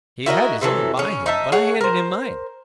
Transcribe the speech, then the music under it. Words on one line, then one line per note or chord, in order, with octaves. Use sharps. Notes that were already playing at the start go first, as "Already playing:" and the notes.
He had his own by him, but I handed him mine.
E4 F#4 A#4 D#5
C3 E3 F#3 A4
C#3 C#4
D#4 D#5 E5 A5
G#4 C#5 F#5
A#4 C5